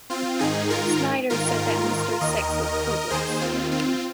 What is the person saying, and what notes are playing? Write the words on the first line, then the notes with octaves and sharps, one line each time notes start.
Snyder said that Mr. Six was pointless.
C4 F4
G#2 D#3 D#4 G#4
F4 A#4
G#2 D#3 F4 A#4
D#2 D#3 A#4 D#5
D#2 D#3 G#4 C5
C4 F4
C4 F4